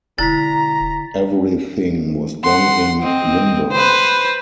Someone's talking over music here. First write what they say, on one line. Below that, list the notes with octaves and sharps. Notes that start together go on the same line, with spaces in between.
Everything was done in Limburgs.
E1 D3 E4 A#5 A6 B6
F#5 C6
C4 D#5
B4 C5